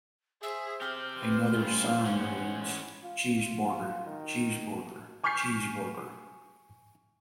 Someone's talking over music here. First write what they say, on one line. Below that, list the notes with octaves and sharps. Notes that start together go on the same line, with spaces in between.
Another sign reads: Cheezborger, Cheezborger, Cheezborger.
G#4 C5 E5
C4 G4 F6 G6
B4 C5
C#3 G3 F4
E3 G3 C#4 F#5
G#3
F4
F4
D#3
G#5 C#6 F6 G6 B6 C7